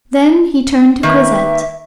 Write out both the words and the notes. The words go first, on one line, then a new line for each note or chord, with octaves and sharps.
Then he turned to Cosette.
D#3 A#3 B4 E5